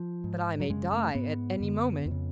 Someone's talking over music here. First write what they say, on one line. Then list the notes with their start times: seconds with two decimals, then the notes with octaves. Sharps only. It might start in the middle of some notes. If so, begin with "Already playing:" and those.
"But I may die at any moment."
Already playing: F3
0.24 G#2
0.60 F#3
0.69 F#2 C#3 G#3
0.93 A3
1.15 G#2 B3
1.60 F#2 D3
2.06 F2
2.11 C#3